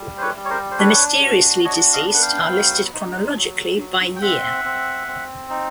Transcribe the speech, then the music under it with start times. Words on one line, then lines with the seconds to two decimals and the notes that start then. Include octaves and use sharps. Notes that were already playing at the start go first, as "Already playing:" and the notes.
The mysteriously-deceased are listed chronologically by year.
Already playing: G3
0.18 C5
0.21 B4 C#5
0.36 G3
0.45 C#5
0.50 A#4 C5
0.71 C5
0.79 D4 B4 C#5
1.22 F#4
1.64 D4 C#5 D#5
1.93 D#5 F5
2.07 B3
2.14 F#5
2.22 F5 G5
2.50 F#3
2.93 D#4
3.36 F#3
3.79 F#3
4.16 G5
4.21 C4 E5 F#5
4.65 C4
5.07 C4
5.50 D#4